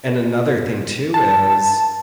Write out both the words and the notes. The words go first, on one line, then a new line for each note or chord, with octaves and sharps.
and another thing too is
A5